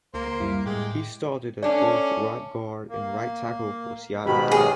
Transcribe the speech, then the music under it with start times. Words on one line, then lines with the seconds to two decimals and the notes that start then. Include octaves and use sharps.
He started at both right guard and right tackle for Seattle.
0.14 C#2 A#3 C5 C6
0.40 F#2 G3 E4 F5
0.66 A2 G#3 G5 D6
1.62 A3 C#4 D4 D5
2.89 A#3
4.26 G#2 B2 D#3 F#4 G4 B5
4.52 F#2 C3 C#4 G#4